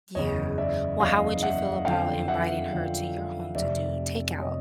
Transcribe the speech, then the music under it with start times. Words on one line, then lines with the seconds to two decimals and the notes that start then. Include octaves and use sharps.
Yeah, well, how would you feel about inviting her to your home to do takeout?
0.15 F#1 E2 C#3 C#5 D#5
0.58 D5 E5
1.00 F#1 E2 C#3 D#5 F5
1.43 E5 F#5
1.85 F2 D3 F3 F5 G5
2.28 E5 F#5
2.70 F2 D3 F3
3.55 F1 F2 C3 D5 E5
4.40 C3 C#5 D#5